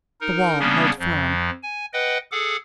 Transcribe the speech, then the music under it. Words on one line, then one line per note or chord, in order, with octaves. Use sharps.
The wall held firm.
D#4 A#4
C#3 G3 A#3 B3 C#4 D4
F2 F3
G#5
B4 D#5 F#5 G5
G#4 A4 F#5 D6